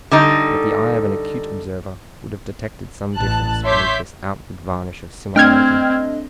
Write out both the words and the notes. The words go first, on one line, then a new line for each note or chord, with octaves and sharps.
Yet the eye of an acute observer would have detected some difference beneath this outward varnish of similarity.
D3 G3 D#4
A1 A5 F#6
C#5 E5 C6 D6 G6 B6
A3 C4 D4 D#5 G5 F6 G#6